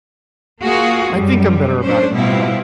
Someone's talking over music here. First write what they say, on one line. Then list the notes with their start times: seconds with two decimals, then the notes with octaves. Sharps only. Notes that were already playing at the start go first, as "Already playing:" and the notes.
I think I'm better about it now.
0.62 A#3 F4 F#4 G#4
1.12 F#2 G3
1.83 C#4 D4 C5
2.13 B2 G3 C4 E4 F4